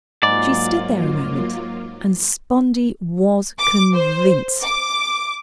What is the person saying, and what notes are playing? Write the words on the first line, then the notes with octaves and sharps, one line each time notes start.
She stood there a moment and Spondee was convinced.
G#2 F#3 A#3 F4 D5
D6
C5
D6